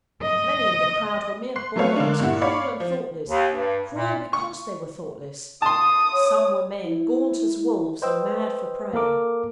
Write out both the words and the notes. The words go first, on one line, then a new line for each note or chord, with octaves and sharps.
Many in the crowd were mere boys; cruel and thoughtless,--cruel because they were thoughtless; some were men, gaunt as wolves, and mad for prey.
D#5
C6 F#6 C7
F#3 A3 A4 B4 C#5 F5
D3 G#3 A#3 D4
G2 A#2 E4 F#5
C#5 D5 F5 B5
F3
D#2
G2
A#2
C#6
A5 C6 D#6
C#5
E4
B4 C5 D#5 G5 E6
A#3 A4 A#4 D6